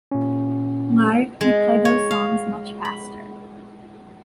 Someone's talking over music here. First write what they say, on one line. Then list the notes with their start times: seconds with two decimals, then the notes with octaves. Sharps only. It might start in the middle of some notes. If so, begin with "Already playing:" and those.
Live we play those songs much faster.
0.12 A#2 C#4
1.41 G#3
1.85 C#5
2.11 F5
2.85 B5